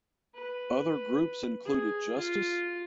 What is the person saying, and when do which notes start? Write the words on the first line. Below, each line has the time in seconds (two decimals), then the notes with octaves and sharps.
Other groups included Justice?
0.35 B4
1.65 G#4
2.16 F4